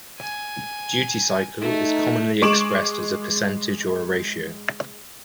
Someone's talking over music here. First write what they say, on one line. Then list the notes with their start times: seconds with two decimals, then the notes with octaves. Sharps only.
Duty cycle is commonly expressed as a percentage or a ratio.
0.19 G#5
1.61 A3 D#4
2.42 G#3 C#6 D6 D7 E7 F#7